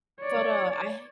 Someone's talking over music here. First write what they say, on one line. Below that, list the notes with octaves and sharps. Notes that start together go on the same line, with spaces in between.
but, uh, I
C#5 D5